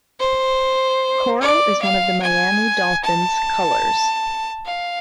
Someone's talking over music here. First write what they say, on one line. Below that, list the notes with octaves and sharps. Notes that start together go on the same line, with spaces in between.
Coral is one of the Miami Dolphins' colors.
C5
D5
F5
G#5
A5
F5